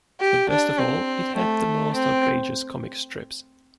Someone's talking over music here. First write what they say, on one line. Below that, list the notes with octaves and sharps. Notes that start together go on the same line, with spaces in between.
But best of all, it had the most outrageous comic strips.
G4
D4
C4
A3
C4